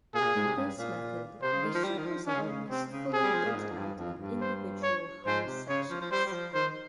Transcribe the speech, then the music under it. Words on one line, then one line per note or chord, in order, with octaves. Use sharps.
In this method, the ship was almost fully built out in individual hull sections.
A#2 G#4
C3
A#2
G#2
C3
G2
A#2
C3 C5
C#3
D#3
F3
G3
D#3
F3
D#3 C#4
C#3
D#3
C#3
C3 C4
C#3
C#3
C3 G#4
G3
F3
A#2
G#2
F2
G2
F2
G2
C5
C#5
G#2 C5
C3
C#3 C#5
F3
F3
G3 C5
G3
F3
D#3 C5